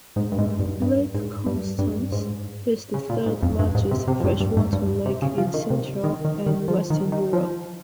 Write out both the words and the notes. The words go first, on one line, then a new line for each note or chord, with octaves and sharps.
Lake Constance is the third largest freshwater lake in Central and Western Europe.
G#2
G2
G#2
G2
G2
G#2
G2
G2
G#2
C#3
A#2
G#2
F2
G2
G#2
C3
C3
F2
G2
G2
G#2
G2
C3
C#3
F3
D#3
C3
D#3
D#3
D#3
F3
D#3
D#3
F3